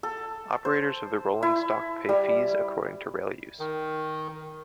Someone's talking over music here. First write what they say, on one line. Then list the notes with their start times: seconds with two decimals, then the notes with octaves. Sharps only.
Operators of the rolling stock pay fees according to rail use.
0.03 A4
0.65 C5
1.43 E4
2.09 G3
3.59 D#3